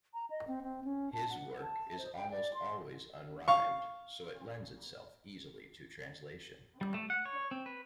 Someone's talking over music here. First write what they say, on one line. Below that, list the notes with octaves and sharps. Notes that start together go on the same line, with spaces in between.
His work is almost always unrhymed, so lends itself easily to translation.
A#5
D#5
C4
C4
C#4
A5
F#5
A5
C5
G5
D5
C6
F5 C#6
G3
A3
F#5
C#5
C4
B4